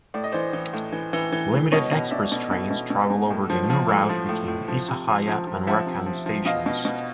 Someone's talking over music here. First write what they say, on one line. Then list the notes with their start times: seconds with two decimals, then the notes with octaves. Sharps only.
Limited express trains travel over the new route between Isahaya and Urakami stations.
0.14 A2 D5
0.24 D#5
0.32 E3 C5 D5
0.53 E3
0.73 A2
0.92 E3
1.13 E3
1.32 E3
1.52 A2
1.72 B2 C#5 D#5
1.92 B2
2.11 B2 D5 E5
2.32 B2
2.51 B2
2.71 B2
2.90 B2
3.10 B2
3.30 A2
3.50 F3
3.70 F3
3.89 A2
4.09 F3
4.29 A2
4.48 A2
4.68 F3
4.88 C3
5.07 F3
5.27 F3
5.47 F3
5.67 F3 E5 F#5
5.86 C3
6.06 F3
6.26 F3
6.45 B2 D#5 F5
6.66 B2
6.85 B2